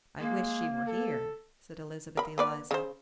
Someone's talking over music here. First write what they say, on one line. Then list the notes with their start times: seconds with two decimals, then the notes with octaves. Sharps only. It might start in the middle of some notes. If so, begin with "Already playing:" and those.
"I wish she were here," said Elizabeth Eliza.
0.20 G#3 A#3
0.87 A4
2.17 A#4 B5
2.38 A#3 B4 D5
2.71 C#3 C5